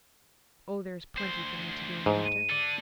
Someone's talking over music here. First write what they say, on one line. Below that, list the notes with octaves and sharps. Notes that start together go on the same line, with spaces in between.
Oh, there is plenty for me to do in the winter.
D2 C5
G#2
D#7
A4 D5